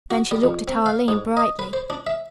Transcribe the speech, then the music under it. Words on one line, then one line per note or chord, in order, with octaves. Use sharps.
Then she looked at Arline brightly.
F#4
G3
F2
C4
F5
G#2
D#5
B4
C5
D4
E5